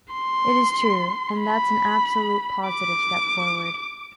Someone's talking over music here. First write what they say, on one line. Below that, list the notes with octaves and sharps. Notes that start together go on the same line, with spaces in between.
It is true, and that’s an absolute positive step forward.
C6
B5
D6